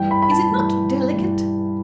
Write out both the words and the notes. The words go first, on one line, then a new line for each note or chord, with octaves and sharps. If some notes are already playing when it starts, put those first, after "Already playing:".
Is it not delicate?
Already playing: G2 E3 G5
B5
B5
A5
G2 E3
G2 E3